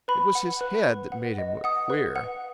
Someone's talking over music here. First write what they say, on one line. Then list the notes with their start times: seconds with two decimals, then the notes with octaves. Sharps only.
It was his head that made him look queer.
0.08 B4 B5
0.35 F#5
0.61 B4
0.86 B4
1.12 F#5
1.38 D#5
1.64 F#5 D#6
1.90 B4
2.16 F#5